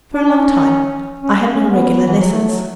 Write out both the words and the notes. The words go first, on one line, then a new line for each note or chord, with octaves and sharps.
For a long time I had no regular lessons.
D4
D4
C#4
C#4
C#4
B3
E3
F#3
A3
F#3